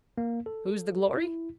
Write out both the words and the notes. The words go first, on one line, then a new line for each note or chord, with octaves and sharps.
Whose the glory?
A#3
A4
E4